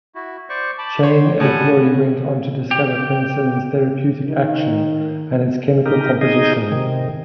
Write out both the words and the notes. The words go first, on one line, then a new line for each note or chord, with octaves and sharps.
Chain and Florey went on to discover penicillin's therapeutic action and its chemical composition.
E4 F#4
C5 D5 C#6
A5 B5 D6
C#5 C6
A2 G3 F#5 G#5 A5
G4
D#3
D#4 G4 A#4
D#4 G#4 D#5
C3 D#3